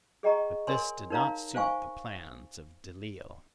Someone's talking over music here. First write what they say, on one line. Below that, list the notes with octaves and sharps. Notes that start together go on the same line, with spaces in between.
But this did not suit the plans of Delisle.
G#4 D#5 G5 A#5 C#6
A#4 C#5 G#5 C6
D#4 A#4 C#5 F5 A#5
C5 F5 G#5 C#6